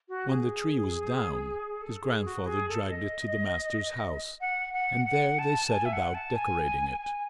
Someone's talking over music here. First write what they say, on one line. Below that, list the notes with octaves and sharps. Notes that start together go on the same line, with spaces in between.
When the tree was down, his grandfather dragged it to the master's house, and there they set about decorating it.
F#4
G#4
A4
G#4
F#4
G#4
A4
D#5
F#5
F#5
F#5
A5
G#5
E5
F#5
A5
G#5
G#5